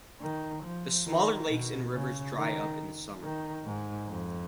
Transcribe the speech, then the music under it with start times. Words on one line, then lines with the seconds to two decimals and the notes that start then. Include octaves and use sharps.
The smaller lakes and rivers dry up in the summer.
0.21 D#3
0.63 F3
1.06 D#3
1.49 B2
1.93 C#3
2.36 D#3
3.22 D#3
3.64 G#2
4.07 F2